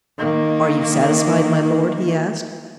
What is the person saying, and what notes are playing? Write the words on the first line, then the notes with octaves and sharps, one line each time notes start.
"Are you satisfied, my lord?" he asked.
D#3 A#3